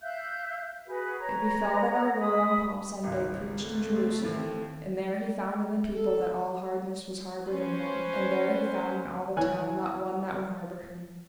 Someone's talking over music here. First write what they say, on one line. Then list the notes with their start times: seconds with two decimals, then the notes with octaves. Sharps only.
It befell that Our Lord on Palm Sunday preached in Jerusalem, and there He found in the people that all hardness was harboured in them, and there He found in all the town not one that would harbour him.
0.01 E5 F5 F#6 G6
0.86 F#4 G#4 B4
1.19 B4 C#5 A#5
2.19 B5 D#6
3.04 G#1 C#2
3.62 A3 C4
4.22 D#2 E4
5.94 A4
7.49 C4 C#4 B4 C5
9.37 E3 C#5 G#5 F#6